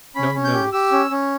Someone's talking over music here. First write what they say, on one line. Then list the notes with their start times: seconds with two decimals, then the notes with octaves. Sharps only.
No notice.
0.15 C#4 B5
0.35 C#4
0.44 G6
0.54 G4
0.72 G4 E6
0.92 C#4
1.11 C#4